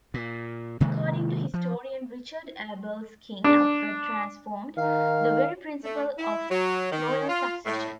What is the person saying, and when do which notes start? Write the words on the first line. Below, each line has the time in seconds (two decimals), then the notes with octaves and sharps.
According to historian Richard Abels King Alfred transformed the very principle of royal succession.
0.14 A#2
0.80 C3 D#3 G#3 A#3
1.54 F3
3.44 D4
4.77 D#3 D#4 F5
5.84 A3
6.18 E4
6.50 F#3
6.92 D#3
7.28 F4
7.65 A2